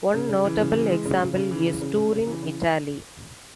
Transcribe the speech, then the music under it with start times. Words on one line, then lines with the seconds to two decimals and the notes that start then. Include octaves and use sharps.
One notable example is Turin, Italy.
0.14 C#3
0.29 C#3
0.45 E3
0.60 C#3
0.75 E3
0.90 G#3
1.05 C#3
1.20 C#3
1.36 C#3
1.51 E3
1.66 C#3
1.82 C#3
1.97 C#3
2.12 C#3
2.27 E3
2.43 C#3